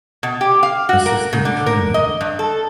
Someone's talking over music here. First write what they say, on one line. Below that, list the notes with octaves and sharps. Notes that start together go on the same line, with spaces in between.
Assistant training.
B2
G4
F5
F#4
A#4
C#3
D3
A#4
D#5
G2
A4